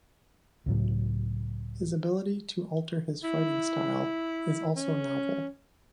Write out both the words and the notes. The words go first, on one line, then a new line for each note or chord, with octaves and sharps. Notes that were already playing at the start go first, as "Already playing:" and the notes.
His ability to alter his fighting style is also novel.
C#2 A2 F#3
E4
C#4